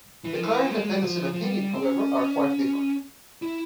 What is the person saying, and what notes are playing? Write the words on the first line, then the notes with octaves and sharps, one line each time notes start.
Declaring independence and attaining it however, are quite different.
E3
F3
E3
A#3
G#3
G3
F3
F3
G3
C4
C#4
E4